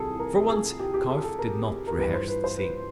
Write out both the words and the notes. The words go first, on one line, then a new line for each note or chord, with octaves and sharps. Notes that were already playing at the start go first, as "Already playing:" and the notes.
For once Kauf did not rehearse the scene.
Already playing: C2 C3 E3 G3 G#4 A4
A#4
A4
G#4
G4
G4
A4
A4
A#4
A#4
G2 E3 G3 B4
C5
B4
C5
B4